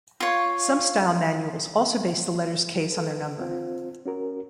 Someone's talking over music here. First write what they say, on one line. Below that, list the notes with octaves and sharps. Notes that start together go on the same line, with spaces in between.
Some style manuals also base the letters' case on their number.
F4 C#5
A4 B4
C4 F4 C5
C#4 F#4 A#4